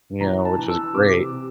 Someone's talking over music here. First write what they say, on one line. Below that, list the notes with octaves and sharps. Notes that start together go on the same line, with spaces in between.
you know, which was great.
E3 A#5
A5
E3
E6
C3 D6
C3